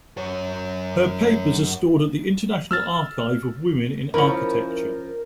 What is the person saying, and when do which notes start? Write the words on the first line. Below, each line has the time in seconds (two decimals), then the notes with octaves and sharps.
Her papers are stored at the International Archive of Women in Architecture.
0.18 F#2 C#5
2.71 E6 F6 A6
4.14 F3 C#4 E4 A#4 B5